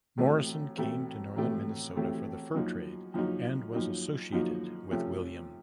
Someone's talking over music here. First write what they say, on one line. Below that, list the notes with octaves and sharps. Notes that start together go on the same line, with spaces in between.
Morrison came to northern Minnesota for the fur trade and was associated with William.
A1 A2 A3 C4 F#4
A1 A2 A3 C4 F#4
A1 A2 A3 C4 F#4
A1 A2 A3 C4 F#4
F#2 F3 A#3 D#4 F#4
F#2 F3 A#3 D#4 F#4
F#2 F3 A#3 D#4 F#4
F#2 F3 A#3 D#4 F#4
C3 F3 A3 C#4